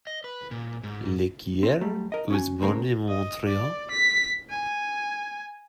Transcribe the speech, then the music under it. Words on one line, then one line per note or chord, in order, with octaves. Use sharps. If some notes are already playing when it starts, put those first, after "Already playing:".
L’Ecuyer was born in Montreal.
D#5
B4
A#2
G#2
C4
F#3 G3 A3
A#4 D#5
C#4 F#4 G#5
C#3 A3 C4 C#4 A#4
D#5
D5
B6
G#5